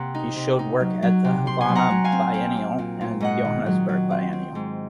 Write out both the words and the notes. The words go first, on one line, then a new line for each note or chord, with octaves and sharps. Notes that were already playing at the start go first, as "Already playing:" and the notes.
He showed work at the Havana Biennial and Johannesburg Biennial.
Already playing: C3 A#3 F#5 A#5 C6
D#4
C3
D#4
F#3
F#3
C3
C4 C6
G#5 C6
F#3
F#5 A#5
F#3
F5 G#5
C4
C4
C4
A#2
A#2
G#2 D#5 F#5
D#3
F#3
F#3
C4
C4
G#2